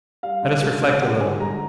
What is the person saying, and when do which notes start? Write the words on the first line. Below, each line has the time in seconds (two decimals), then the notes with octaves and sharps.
Let us reflect a little.
0.23 G3 F5
0.43 D3
0.63 G#3
0.81 B2
1.01 G3 F#5
1.21 D3 G#5
1.40 G#3 A#5